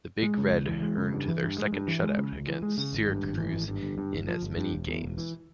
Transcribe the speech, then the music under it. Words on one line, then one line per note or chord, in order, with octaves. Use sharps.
The Big Red earned their second shutout against Syracuse in as many games.
G#3
C#3
C#2
E3
G#3
C#3
G2
E3
G2
G#3
G2
E3
G#3
C#3
C#2
E3
G#3
C#3
G#1
G2
G#1
E3
G#1
G2
G1
G2
G1
F3
G1
G2
E1
E2
E1
E3